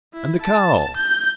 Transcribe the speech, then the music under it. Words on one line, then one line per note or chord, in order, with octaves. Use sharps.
"And the cow?"
E4
A5
G6